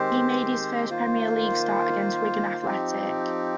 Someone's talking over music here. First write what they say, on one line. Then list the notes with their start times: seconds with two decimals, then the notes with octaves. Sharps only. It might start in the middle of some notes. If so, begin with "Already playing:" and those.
He made his first Premier League start against Wigan Athletic.
Already playing: D#3 G#3 C4 G4 C5
0.90 D#3 A#3 F4 C5
2.65 F3 C4 D#4 G4